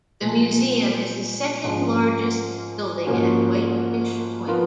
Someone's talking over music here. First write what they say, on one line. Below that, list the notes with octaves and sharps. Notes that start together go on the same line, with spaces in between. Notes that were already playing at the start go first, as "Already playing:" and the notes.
The museum is the second largest building at Whitefish Point.
A#2 F3 G#3
G#2 F3 G#3 C#4
G#2 F3 A#3 C#4 F#4
F3 B3 F4 A#4